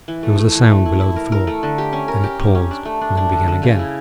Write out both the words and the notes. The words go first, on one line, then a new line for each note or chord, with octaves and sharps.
There was a sound below the floor; then it paused, and then began again.
E3
A3
A3
E3
A3
E4
E4
A#4
A#4
A3
D3
G4
C#4
A#4
G4
C#4
C#4
D4
A3
D4
D4
D3
D3
C#3
E4